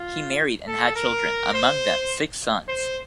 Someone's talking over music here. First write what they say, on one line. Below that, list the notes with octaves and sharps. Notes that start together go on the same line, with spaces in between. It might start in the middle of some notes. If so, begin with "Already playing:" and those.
He married and had children, among them six sons.
Already playing: F4
A4
A#4
C5
C5